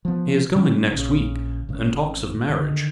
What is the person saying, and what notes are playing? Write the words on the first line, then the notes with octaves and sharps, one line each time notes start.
"He is going next week, and talks of marriage."
F3 B3
C#3 G3 C#4
A#1 C#3
G#1 C#3
D3 D#3